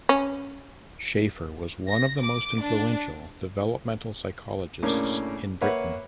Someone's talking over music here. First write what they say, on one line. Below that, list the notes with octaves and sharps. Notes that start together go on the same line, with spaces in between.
Schaffer was one of the most influential developmental psychologists in Britain.
C#4
A#6
D6
D4
A2 C#3 A#3 C#4 D4
A#3 B4 C#5 E5 F#5